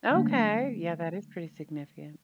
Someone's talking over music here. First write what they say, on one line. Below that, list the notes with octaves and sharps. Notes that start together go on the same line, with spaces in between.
Okay, yeah, that is pretty significant.
D3 F#3 G3 A3 A#3 D4